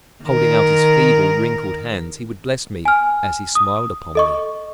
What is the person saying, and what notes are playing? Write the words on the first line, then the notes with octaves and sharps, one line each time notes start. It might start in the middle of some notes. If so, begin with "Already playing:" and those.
Holding out his feeble, wrinkled hands he would bless me as he smiled upon me.
D#3 A#4
G#5 F6
D#6
A4 D#5 C#6